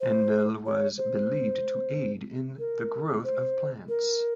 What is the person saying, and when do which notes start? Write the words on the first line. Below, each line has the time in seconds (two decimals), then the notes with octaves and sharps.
Enlil was believed to aid in the growth of plants.
0.01 C5
0.66 C#5
0.98 C5
2.59 A#4
3.24 C5
3.89 A#4